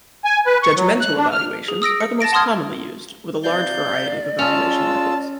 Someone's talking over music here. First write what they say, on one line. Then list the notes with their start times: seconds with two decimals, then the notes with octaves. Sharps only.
Judgmental evaluations are the most commonly used with a large variety of evaluation methods.
0.25 G#5
0.46 B4
0.63 C#6
0.76 F#3
1.00 F#6
1.17 D4
1.32 F6
1.68 G#4
1.82 D#6 E6 A#6 D7
2.00 C#7
2.20 A5 A6 A#6 D7
2.32 F#5 A5 C6 D#6 F6 G#6
3.44 C3 D5 F5 G6
4.39 G#3 C#4 F4 A5 E6